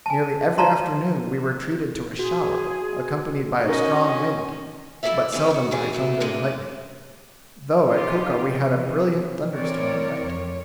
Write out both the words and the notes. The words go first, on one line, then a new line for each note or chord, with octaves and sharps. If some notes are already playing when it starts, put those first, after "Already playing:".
Nearly every afternoon we were treated to a shower, accompanied by a strong wind, but seldom by thunder and lightning, though at Coca we had a brilliant thunder-storm at night.
G#5 A5
F4 D5 F5 A5 A#5 C6
F#4 G#4
C#4 D#4 A#4 D#5
A#3 E4 G#4 A4 D5 E5
D#2 A2 D3 E3 C4 D#4
D#3 F#4
D2 E3 G3 G#4
F#3 A3 E4
C3 G#3 A#3 D4
C#4 D#4 F4 G4
C3 E3
E3 C4 A#4 C#5 D5
F2 C#5